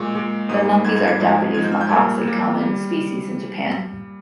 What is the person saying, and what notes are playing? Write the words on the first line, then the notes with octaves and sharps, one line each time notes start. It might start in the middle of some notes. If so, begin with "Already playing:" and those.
The monkeys are Japanese macaques, a common species in Japan.
Already playing: A#2 G#3 C#6
A#2 G#3
G#2 G3 A#3 D#6
G#2 G3 A#3 G#6
G#6
G#6
G#2 F3 G#3
G#2 F3 G#3 G#6
G6
F6
G6
A#2 G3 A#3 G#6
A#2 G3 A#3
G3